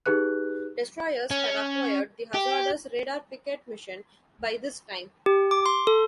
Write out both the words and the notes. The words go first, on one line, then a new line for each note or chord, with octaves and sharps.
Destroyers had acquired the hazardous radar picket mission by this time.
D#4 G4 G#4 B4 F#6
C#4
G4
G4
D6
C6
A4